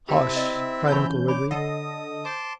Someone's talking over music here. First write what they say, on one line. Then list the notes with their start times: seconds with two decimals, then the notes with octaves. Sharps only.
"Hush!" cried Uncle Wiggily.
0.09 C3 C4 E4 G4 E5 G5 A5
0.36 D5 D#5
0.88 E3 C#4 A5 B5 G6
1.28 C#5 D5 B5 D6
1.51 D3 A4 D#5 F#5 D#6
2.25 C5 A5 C6 D6